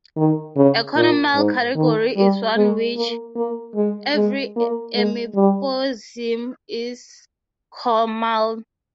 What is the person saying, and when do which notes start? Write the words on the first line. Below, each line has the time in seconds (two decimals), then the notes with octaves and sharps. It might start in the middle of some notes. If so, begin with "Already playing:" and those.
A conormal category is one in which every epimorphism is conormal.
0.17 D#3
0.56 C#3
0.96 A#2
1.36 G#2
1.76 D#3
2.16 G3
2.57 G#3
2.96 A#3
3.36 A#3
3.75 G#3
4.15 G#3
4.56 A#3
4.95 G#3
5.36 G3